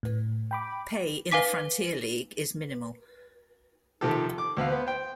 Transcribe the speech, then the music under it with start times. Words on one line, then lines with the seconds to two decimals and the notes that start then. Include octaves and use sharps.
Pay in the Frontier League is minimal.
0.03 A2
0.51 G5 B5 D6
1.31 B4 F5 G#5 D6 B6
4.01 C3 D#3 F3 G4 A4
4.38 D6
4.57 D2 B3 B4 F5
4.68 B3 B4 C5
4.87 C5 G5